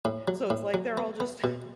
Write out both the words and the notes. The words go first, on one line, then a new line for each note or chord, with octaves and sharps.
So it's like they're all just
A2
F#3
A2
F#3
B3
B3
B2